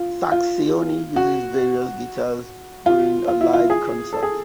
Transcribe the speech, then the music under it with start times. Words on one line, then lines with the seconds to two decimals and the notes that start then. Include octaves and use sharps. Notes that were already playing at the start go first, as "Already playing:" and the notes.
Sacksioni uses various guitars during a live concert.
Already playing: F4
0.32 F4
1.16 F#4
2.86 F4
3.28 F4
3.41 E4
3.53 F4
3.70 G#4
4.13 A4
4.23 G#4